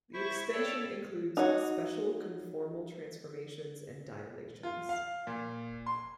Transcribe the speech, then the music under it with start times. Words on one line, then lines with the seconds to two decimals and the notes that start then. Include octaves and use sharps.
The extension includes special conformal transformations and dilations.
0.14 E4 C5 E5 C#6
0.52 A4 C#5 D5 G5 A5
1.37 D#4 F#4 C#5
4.63 F4
4.89 F5
5.27 A#2
5.86 C6